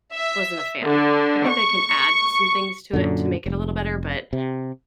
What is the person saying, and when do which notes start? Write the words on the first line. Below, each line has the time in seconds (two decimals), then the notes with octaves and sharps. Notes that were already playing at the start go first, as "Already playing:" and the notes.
wasn't a fan. I think they can add some things to it to make it a little better, but,
0.14 E5
0.85 D3
1.48 C#6
2.93 F#2 A#2 D3
3.46 F1
4.33 C3